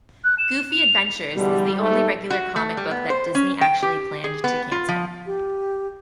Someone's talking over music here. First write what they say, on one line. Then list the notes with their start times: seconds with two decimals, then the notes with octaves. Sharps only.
Goofy Adventures is the only regular comic book that Disney actually planned to cancel.
0.24 F#6
0.38 E7
0.72 F7
1.36 E2 B2 D3 G3
1.80 G#2 A3
2.30 F#4
2.56 A3
2.77 G3
2.91 B3
3.10 C5
3.35 C#4
3.61 G5
3.83 G4
4.24 G#4
4.44 B3
4.72 F4
4.89 F3
5.26 G4